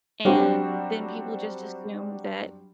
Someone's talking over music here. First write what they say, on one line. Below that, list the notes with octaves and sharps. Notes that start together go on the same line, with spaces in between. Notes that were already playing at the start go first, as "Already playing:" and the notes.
and then people, just, assume that
F#3 G3 C4 D4 F#4 G4